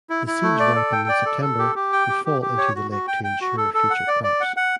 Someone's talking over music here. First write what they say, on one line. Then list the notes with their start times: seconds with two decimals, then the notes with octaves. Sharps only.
The seeds ripen in September and fall into the lake to ensure future crops.
0.10 E4
0.27 E4
0.43 A3
0.60 D5
0.76 A4
0.92 G5
1.09 D5
1.26 A4
1.42 A4
1.59 G4
1.75 G4
1.92 G5
2.09 G4
2.25 G4
2.42 G4
2.58 C#5
2.75 F#4
2.91 F#4
3.08 G5
3.24 G5
3.41 F#4
3.57 A4
3.74 A4
3.90 F#5
4.08 D5
4.23 D5
4.40 F#5
4.56 F#5